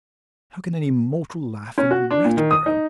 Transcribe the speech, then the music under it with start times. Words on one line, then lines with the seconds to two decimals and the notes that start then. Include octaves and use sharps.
How can any mortal laugh in Ratborough!
1.78 C#4
1.91 F#4
2.11 D4
2.25 A#2
2.37 D#3
2.51 D#6
2.66 D#4